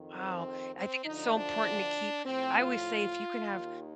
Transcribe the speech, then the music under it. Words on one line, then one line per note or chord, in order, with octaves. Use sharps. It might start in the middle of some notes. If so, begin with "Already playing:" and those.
Wow, I think it's so important to keep I always say, if you can have
Already playing: F2 D#3
C4
C4
D2 D3 F3 D#4
D4
A2 F3 C4
F4
D#2 D#3